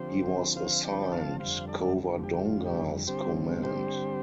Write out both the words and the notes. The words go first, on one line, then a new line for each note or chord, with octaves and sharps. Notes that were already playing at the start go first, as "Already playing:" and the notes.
He was assigned "Covadonga"'s command.
Already playing: D3 F3 C4 G4 C5
C5 F5
D5 G5
G5
F5 A5
F2 D3 G3 C5 F5
A4 D5
G4
F4
G4
D3 G3 C4 G4 C5
G4 C5